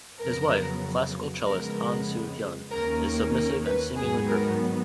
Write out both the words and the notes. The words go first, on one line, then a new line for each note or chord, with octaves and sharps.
His wife, classical cellist Han Soo-hyun, is submissive and seemingly perfect.
F2 C#3 F#3 B3 A#4
F2 C#3 G#3 B3 A#4
D#2 D#3 A#3 C#4 A#4
A#4
A#4
B4
G#2 D#3 F#3 B3 G#4
A#4